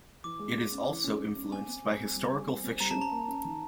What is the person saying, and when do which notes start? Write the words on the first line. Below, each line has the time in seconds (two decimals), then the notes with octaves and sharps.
It is also influenced by historical fiction.
0.24 E3 D6
0.39 G#3
0.56 G#3
0.72 C#4
0.88 E3
1.04 C#4
1.20 G#3
1.35 C#4
1.52 C4 G#5
1.68 C4
1.84 G3
2.00 C4
2.16 G3
2.32 G3
2.48 C4
2.64 C4
2.80 G3 A#5
2.91 A5
2.96 C#4
3.01 A#5
3.12 A#3
3.27 C#4
3.44 D#3